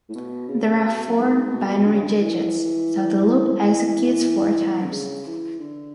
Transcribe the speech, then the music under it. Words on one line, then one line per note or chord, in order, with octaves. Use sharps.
There are four binary digits, so the loop executes four times.
A2
B2
C#3
B2
F#2
G#2
B2
D3
C#3
D3
E3
E3
D3
C#3
E3
D3